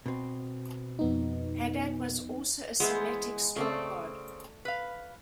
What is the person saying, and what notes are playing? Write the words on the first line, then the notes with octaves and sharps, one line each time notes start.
Hadad was also a Semitic storm-god.
B2 C4
F2 B3 D#4
E3 G#3 B3 G#4 C5
C#3 A3 C4 D5
B4 F5